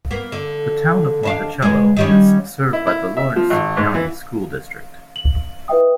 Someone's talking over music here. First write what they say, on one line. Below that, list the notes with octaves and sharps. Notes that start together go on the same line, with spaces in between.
The Town of Monticello is served by the Lawrence County School District.
A#3 B3
D3
D#2 D4 F5
B2 G#3
D#3 G3 C#4
E4
E4
E5
F3
G#1
G#2
E3
F#7
E4 B4 D#5 E5 G5 D#6